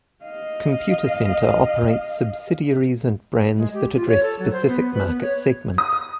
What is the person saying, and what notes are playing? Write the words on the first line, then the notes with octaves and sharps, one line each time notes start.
Computacenter operates subsidiaries and brands that address specific market segments.
D#5 F5
G#3
G4
F4
C#5
A4
F#3
C5
B3
B4
B3
C#5
D#6